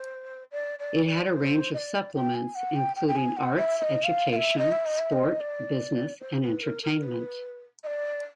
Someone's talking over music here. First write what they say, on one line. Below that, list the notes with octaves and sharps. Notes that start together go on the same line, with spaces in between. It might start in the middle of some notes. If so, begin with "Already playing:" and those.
It had a range of supplements, including Arts, Education, Sport, Business and Entertainment.
Already playing: C5
D5
D5
D5
C5
D#5
D5
G5
G#5
F#5
G5
G5
G5
G#5
F#5
E5
E5
D#5
F5
F5
E5
D#5
E5
D#5
E5
D#5
D5
C5
B4
A#4
A#4
B4
D#5
D5